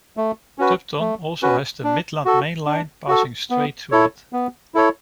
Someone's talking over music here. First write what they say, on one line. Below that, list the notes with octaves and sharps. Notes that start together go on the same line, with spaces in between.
Tupton also has the Midland Main Line passing straight through it.
A3
C#4 F#4 B4
A3
C#4 F#4 B4
D4
F#4 A4
D4
F#4 A4
B3
E4 A4 C#5
B3
E4 A4 C#5